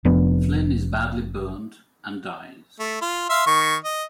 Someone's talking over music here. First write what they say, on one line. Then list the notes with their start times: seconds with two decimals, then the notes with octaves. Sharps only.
Flynn is badly burned and dies.
0.05 F1 F2 B3 D4
2.80 A3
3.01 F4
3.30 E5 F5 C6
3.47 D#3 C#6
3.84 D#5